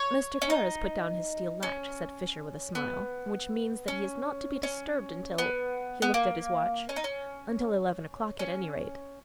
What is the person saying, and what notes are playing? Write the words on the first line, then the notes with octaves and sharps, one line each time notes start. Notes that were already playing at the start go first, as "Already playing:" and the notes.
"Mr. Kara's put down his steel latch," said Fisher with a smile, "which means that he is not to be disturbed until--" he looked at his watch, "until eleven o'clock at any rate."
Already playing: C#5
C#4
D#4
C#4
B3
C#4
C#4
B3
B3
A#3
C#4
D#4
C#4
C#4